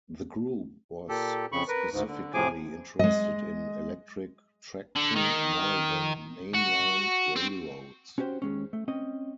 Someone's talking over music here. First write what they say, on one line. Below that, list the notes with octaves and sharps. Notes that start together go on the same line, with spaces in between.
The group was specifically interested in electric traction, more than main line railroads.
A#2 G4 A4
F2 C#3 B5 C#6
A#4 B4
D2 G#2
D3
A2 C3 F3 G#4 G#5 D6
G#3 D#5
D3
D#3
F#4
C4
C#4 F#4 G4 A#4 C5
D#2 G#3 C#4
A3
C4 C#4 D#5